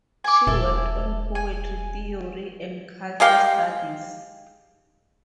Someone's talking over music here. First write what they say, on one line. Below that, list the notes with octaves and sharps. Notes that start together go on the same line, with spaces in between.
She worked on poetry theory and culture studies.
G#5 D6
E1 E4 A4
G#5
G#3 G4 F5 G5